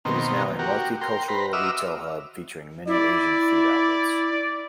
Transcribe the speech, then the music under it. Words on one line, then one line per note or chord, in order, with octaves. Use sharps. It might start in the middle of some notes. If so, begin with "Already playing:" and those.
It is now a multi-cultural retail hub featuring many Asian food outlets.
B2 D#3 A#3 C4
F#4 G4 A#4
A#4 G5 C6
B4 C5 A#5
F#4 D#5 E5 D6 E6 F6
E4 D5